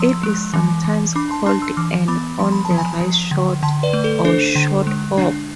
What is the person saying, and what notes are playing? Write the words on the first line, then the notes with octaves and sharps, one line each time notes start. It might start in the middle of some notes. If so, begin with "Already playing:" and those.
It is sometimes called an "on the rise shot", or "short hop".
Already playing: F3 C6 E6
G#3
E3
E3
D4 B5 D6
A5 C6
D4 A5 C6
C6 E6
E3 D6 F6
B3 B5 D6
F3 C6
B5
A5
F3
G#5 B5
F3
D3
D3 A5 C6
B4 D5
A3
A4
D4 A4 C5
D3
G#3
D4